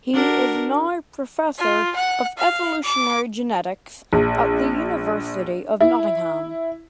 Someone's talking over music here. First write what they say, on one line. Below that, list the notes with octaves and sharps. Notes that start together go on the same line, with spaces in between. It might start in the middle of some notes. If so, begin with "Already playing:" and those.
He is now Professor of evolutionary genetics at the University of Nottingham.
D4 F#4 A#4
F4
F#5
F5
D6
A#1
E4